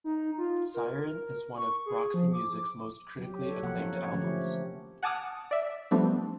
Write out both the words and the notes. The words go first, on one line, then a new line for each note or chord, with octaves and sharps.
"Siren" is one of Roxy Music's most critically acclaimed albums.
D#4
F4
A#4
C#6
G#4
F3
D6
F#3 G4
A4 C#5
C3 F3 A#3 F#5
C#4 A#4
C#5
D3 F3 A3 C#4 G4
F#5 G#5 A5 D6 D#6 F6
D5 E5
F3 G3 A3 B3 C4 D4